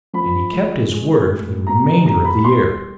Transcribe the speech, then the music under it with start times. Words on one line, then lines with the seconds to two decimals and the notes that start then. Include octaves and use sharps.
And he kept his word for the remainder of the year.
0.13 F3 B5
0.52 G#3
0.91 G#3
1.29 A2
1.67 B2 A#5
1.86 A#5
2.06 G3 A#5
2.25 B5
2.44 G3 C6